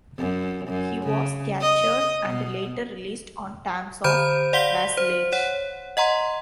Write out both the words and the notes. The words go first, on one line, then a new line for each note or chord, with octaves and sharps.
He was captured and later released on terms of vassalage.
F#2
F#2
C#3
D#5
B2
D3 C5 B5 G6 D7
D5 F5 F#5 C6 B6 G7
C5
C#5 F#5
D#5 F#5 A#5 C6